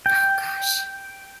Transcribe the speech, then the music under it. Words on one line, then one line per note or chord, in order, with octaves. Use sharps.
Oh gosh.
G5